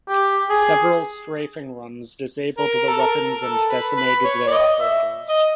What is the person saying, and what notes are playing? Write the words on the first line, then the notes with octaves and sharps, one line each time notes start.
Several strafing runs disabled the weapons and decimated their operators.
G4
G#4
A#4
A4
A#4
A4
B4
B4
C#5
D5
D#5
E5
D#5